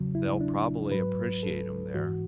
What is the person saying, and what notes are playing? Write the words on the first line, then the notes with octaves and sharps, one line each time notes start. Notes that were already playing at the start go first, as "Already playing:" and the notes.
They'll probably appreciate him there.
Already playing: E2 C#3 F#3
E4
D4
G#2 F#3 B4
A4
G#2 E3 F#4